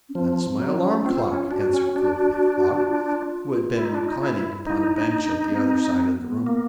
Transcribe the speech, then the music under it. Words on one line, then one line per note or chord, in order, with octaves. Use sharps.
"That is my alarm clock," answered Flippityflop, who had been reclining upon a bench at the other side of the room.
C#4
F3 C4
C4
F#3
C#4
C4 F4
C#4
D4 F#4
C#4
D4
F4
E4
D#4
D4
D#4
E4
D#4 E4
D4
D4
B3
C4
C4
B3
A#3